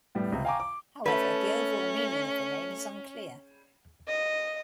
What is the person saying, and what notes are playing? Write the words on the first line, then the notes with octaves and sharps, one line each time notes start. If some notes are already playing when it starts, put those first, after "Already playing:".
However, the overall meaning of the name is unclear.
A2 G3 B3
C#2 C3
F5 G5 G#5 A#5 C#6 D6
D6
A3 C#4 B4
D#5